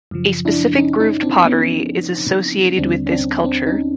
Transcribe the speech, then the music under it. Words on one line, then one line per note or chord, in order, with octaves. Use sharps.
A specific grooved pottery is associated with this culture.
F#2 C#3 F3
D4 E4
C#4 D#4
C#4 D#4
C4 D4
B3 C#4
D#2 D3 G3 C4 D4
C#4
C4 D4
C4 D4
C#4 D#4